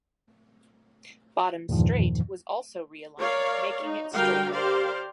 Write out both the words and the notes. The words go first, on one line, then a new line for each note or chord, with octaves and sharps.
Bottom Straight was also realigned making it straighter.
E2 G2 A#2 D#3 F3
A#4 C#5 D5 F5
D#4
D3 G3 F#4 A#4 F5 G5
G4 A#4 C5 D5 F5